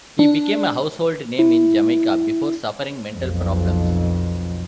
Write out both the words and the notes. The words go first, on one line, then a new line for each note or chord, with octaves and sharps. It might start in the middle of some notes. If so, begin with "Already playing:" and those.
He became a household name in Jamaica, before suffering mental problems.
D4
E4
B1 F2